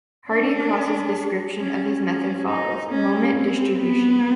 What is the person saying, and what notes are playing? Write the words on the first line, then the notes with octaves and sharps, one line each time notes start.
Hardy Cross's description of his method follows: Moment Distribution.
D4
C#4
C#4
D#4
C#4
C4
B3